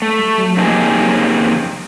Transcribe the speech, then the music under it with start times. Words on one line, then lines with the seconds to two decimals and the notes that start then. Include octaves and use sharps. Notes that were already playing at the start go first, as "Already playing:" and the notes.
"It will not listen!"
0.02 A3
0.57 C#3 A#3 C4 D#4 G4 G#4